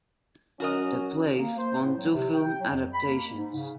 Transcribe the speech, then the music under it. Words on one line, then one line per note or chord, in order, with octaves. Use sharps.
The play spawned two film adaptations.
F#3 C#4 F#4 A#4 D#5
A#3
C5
A2
F#3
C3
G5
F#3
F2
B5
A#3
G#2
C#3